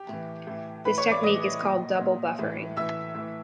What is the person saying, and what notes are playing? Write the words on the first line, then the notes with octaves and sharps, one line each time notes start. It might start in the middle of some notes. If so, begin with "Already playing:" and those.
This technique is called double buffering.
Already playing: G4
A2 E3
A2 E3
A2 E3 B4 B5
C#5 C#6
D5 D6
A2 E3 D#5 D#6
A#2
A#2
A2 E3
A2 E3 E5 E6
A2 E3